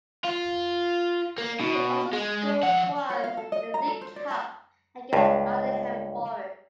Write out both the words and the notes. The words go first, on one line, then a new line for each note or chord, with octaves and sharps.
He also scored once in the League Cup against Nottingham Forest.
F4
A#3
B2
G#3
F3 F#5
C#5
F5
A4
D#5
A#5
A4
C5
D5
A5
C#2 G2